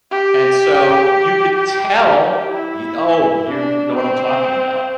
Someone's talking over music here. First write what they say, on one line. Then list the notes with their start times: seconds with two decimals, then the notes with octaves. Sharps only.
and so you could tell, y oh, you know what I'm talking about.
0.11 G4
1.56 G4
2.04 G4
2.52 E4
3.48 D4
3.96 C4